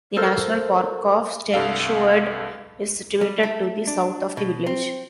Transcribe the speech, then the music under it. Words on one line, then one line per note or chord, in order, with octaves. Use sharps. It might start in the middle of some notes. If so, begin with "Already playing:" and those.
The national park of Stenshuvud is situated to the south of the village.
A4 A#4 C5 F5 E6 F6
C2 G2 A4 F5
G3
A3
D4
B2
C4